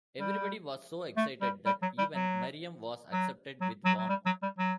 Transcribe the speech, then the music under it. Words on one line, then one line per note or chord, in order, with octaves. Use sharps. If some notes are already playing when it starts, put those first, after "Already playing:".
Everybody was so excited that even Miriam was accepted with warmth.
G3
A3
G3
G3
F#3
G3
F#3
F#3
F#3
F#3
F#3
G3
F#3
G3
F#3